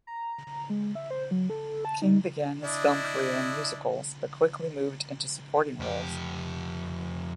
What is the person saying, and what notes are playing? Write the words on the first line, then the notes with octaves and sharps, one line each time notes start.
King began his film career in musicals but quickly moved into supporting roles.
A#5
G#3
E5
C5
F#3
A4
A5
D#4
D4 E4 D#5
F2 G4